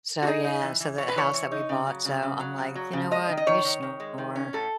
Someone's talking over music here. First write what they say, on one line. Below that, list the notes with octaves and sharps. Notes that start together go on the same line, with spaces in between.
So yeah, so the house that we bought so I'm like, "You know what? You snore,
F#4
D#4 G#4
D#4
E3
E3
E3 C#5
B4
E3 C#5
E3
D#4
C#3
F#3
C#3
C#3
F#3
C#3
F#3
C#3
G#3 D#5
D#3
D#5
D#3 C#5
D#3
D#3
G#3
D#3
C#4
A2 A4